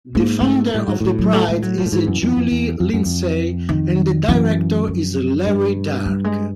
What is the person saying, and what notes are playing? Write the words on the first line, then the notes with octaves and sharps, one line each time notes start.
The founder of the prize is Julie Lindsey, and the director is Larry Dark.
G#2 A#3
A#3
A3
A2 G3
G#2 F#3
A2 F3
F#3
A3
G#3
F#3
F3
A2
G#2 E3
F#2
F2
F2
E2
F2
F#2
F2
D#3
F#2 E3
F3
G2
G3
G#3